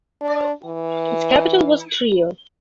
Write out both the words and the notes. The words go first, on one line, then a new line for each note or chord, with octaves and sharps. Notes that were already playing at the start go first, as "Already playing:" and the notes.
Its capital was Trier.
D4
E3